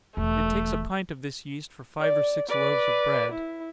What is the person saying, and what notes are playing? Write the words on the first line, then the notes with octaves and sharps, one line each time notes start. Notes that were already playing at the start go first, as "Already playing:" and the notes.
It takes a pint of this yeast for five or six loaves of bread.
E1 E3 A3
D5
B4 D5
E4